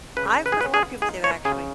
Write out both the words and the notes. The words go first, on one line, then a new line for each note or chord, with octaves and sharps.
I've heard a lotta people say that, actually.
C#3 B4
B4
G#4
B3 B4
G#4
D#4 G#4
C#5
C#3 G#4